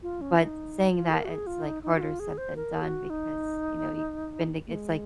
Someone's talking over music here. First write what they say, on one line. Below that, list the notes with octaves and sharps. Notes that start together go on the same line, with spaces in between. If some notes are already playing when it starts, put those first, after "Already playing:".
but saying that, it's, like, harder said than done because, you know, you've been to it's like
F4
C#4
D#4
F4
A#4
F#4
G#4
F4
D#4
D#4
F#4
F4
G#4
C5
A#4
F#4
D#4
A#3
G#3